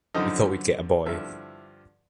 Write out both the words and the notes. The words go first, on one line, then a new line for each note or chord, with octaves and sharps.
We thought we’d get a boy.
F#2 D3 F3 D#4 D#5
G2 D3 F3 E4 E5